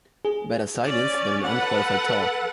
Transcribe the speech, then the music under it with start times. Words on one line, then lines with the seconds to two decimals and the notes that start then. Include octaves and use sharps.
Better silence than an unqualified talk.
0.25 G#4
0.85 C#4 D5
1.46 A4 B4 F#5